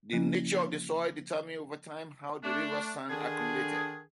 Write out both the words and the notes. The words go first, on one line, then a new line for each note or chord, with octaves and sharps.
The nature of the soil determined over time how the river's sand accumulated.
C#3 F3 A#3 C#4 E4
A3 D4
D3 D#3 D4 G#4